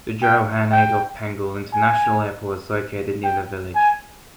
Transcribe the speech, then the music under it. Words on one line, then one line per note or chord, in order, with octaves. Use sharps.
The Johan Adolf Pengel International Airport is located near the village.
G5
G5
G#5
G5
G#5